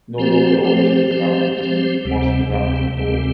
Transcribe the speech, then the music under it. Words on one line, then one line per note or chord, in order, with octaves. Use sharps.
No local ownership was found for the team, forcing the Rockers to fold.
F3 C4 G4 C5
F3 C4 G4 C5
F3 C4 G4 C5
F3 C4 G4 C5
D2 C3 G3 C4
D2 C3 G3 C4
D2 C3 G3 C4